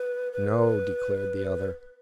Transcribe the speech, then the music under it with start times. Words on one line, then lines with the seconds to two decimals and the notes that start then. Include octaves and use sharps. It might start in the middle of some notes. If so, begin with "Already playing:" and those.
"No," declared the other.
Already playing: B4
0.33 B4